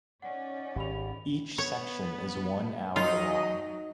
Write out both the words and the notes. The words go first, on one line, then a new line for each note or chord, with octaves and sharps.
Each section is one hour long.
C#4 D#4 D5 F#5
G#1 G4 B5 F7
B3 C#5
F#3 D#4 F4 D#5